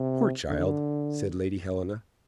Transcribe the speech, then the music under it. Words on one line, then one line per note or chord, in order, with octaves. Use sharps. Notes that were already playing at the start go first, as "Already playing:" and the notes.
"Poor child!" said Lady Helena.
Already playing: C3
D3